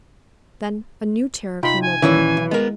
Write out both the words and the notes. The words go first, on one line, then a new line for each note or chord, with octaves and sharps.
Then a new terror came over her.
C3 D#4 F4 G5 B5 C6
G#5
A#2 D#3 E3 C#4 E4 E7
B1
G#3 B3 A#4